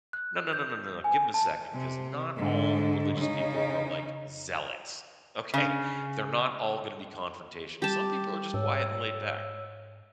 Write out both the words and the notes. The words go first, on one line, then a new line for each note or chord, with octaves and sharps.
"No, no, no, no, no, no, give 'em a second 'cause not all religious people are like zealots, okay, they're not all gonna be confrontational; some people are just quiet and laid-back.
F#6
G6
G#5
A5
C3
G#2 D3
C#3 D#4
C#3
G3 G4 A5
G#2 C#5 E6